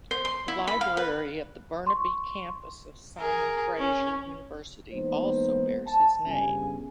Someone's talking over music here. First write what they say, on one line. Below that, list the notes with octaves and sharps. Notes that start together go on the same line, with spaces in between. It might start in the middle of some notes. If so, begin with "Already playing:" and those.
The library at the Burnaby campus of Simon Fraser University also bears his name.
C5
C6
E4
B5
F5
B4
C6 C#6
G#4 A#4
C#4
E3 G#3 A#3 B3 D#4 C5
A5
G1 C#3 G#5